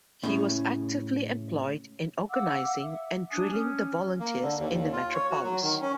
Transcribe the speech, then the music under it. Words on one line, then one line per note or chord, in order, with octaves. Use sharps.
He was actively employed in organising and drilling the Volunteers in the metropolis.
A2 C#3
F5 F#5 D6 E6
E5
D4 G#5 D#6 F#6
C#4
A#3
D3
D#2
D#2
F4
C#5
F#4
F#3
D#3
C#4